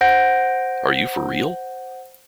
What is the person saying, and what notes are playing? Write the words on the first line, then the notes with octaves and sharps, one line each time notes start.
Are You for Real?
C5 F#5 G6 A#6 D7